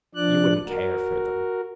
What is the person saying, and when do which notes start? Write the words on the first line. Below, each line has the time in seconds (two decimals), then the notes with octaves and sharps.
You would n't care for them.
0.15 F3 D4 D5 F#6
0.67 F#4 A#4